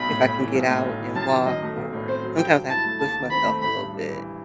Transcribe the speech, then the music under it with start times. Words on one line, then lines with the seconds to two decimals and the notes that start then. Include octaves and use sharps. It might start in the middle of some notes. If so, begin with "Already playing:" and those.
if I can get out and walk or sometimes I have to push myself a little bit,
Already playing: B1 B5
0.08 A2
0.24 B1
0.38 E3
0.54 B1
0.69 A2
0.84 B1
1.00 E3
1.15 F#2 A5
1.31 D#3
1.46 F#2 D#5
1.62 A3
1.77 B1
1.93 A2
2.08 C4 C5
2.23 F#3
2.39 G2 G5
2.54 F#3
2.70 E4 A5
2.85 A3
3.00 D#2 A5
3.16 D#3
3.31 C4 B5
3.47 A3
3.62 A1 B5
3.77 G2
3.92 G3
4.08 E3